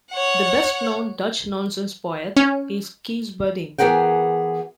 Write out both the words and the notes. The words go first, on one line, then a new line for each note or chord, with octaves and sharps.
The best-known Dutch Nonsense poet is Cees Buddingh'.
C#5 F#5
C#4
E3 B3 G#4 A#4 F#5 G5